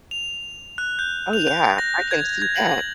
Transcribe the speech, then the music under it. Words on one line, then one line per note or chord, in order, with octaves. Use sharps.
Oh, yeah. I can see that.
F7
F#6
G6
F7
G6
A#6
G#6
G#6
F#7